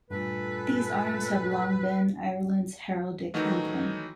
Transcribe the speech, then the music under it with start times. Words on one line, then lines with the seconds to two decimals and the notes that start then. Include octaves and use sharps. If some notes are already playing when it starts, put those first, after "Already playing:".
These arms have long been Ireland's heraldic emblem.
0.11 G2 A#2 A3 A4 B4
3.34 D#3 E3 F#3 A3 D#4 F#4